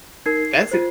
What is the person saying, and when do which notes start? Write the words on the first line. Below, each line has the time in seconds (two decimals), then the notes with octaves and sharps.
that's i
0.26 D#4 A#4 G#6 C7
0.71 F4 C5